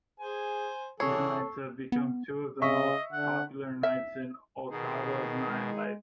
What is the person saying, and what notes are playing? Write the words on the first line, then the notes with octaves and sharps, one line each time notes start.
These nights have become two of the most popular nights in Ottawa's nightlife.
G#4 C5 G#5
D3 E3 G#4 A4 C#5 C#6 E6 C7
B3
C#3 D#5 E5 C#6 B6
D3 F#5
E5
B2 D#3 D#4 G#4
G#3